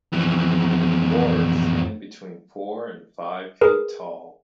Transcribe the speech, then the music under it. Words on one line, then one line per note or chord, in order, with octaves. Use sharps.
Dwarves stand between four and five feet tall.
F2 E3
G#4 A#4 B4